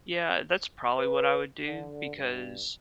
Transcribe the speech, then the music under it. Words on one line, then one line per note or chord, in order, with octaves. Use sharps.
Yeah, that's probably what I would do because,
B4
D3
G2